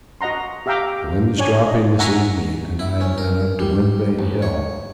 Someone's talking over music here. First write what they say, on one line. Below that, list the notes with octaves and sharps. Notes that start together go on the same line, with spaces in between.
The wind is dropping this evening, and I have been up to Wind Vane Hill.
F#4 D#5 F#5 A#5 C6
G4 E5 F5 G5 A#5 D6
D4 C#5 G#5
D#5
E5 F#5 G#5 A#5 C#6
E4
C#4
A#4
G3
A1
C#5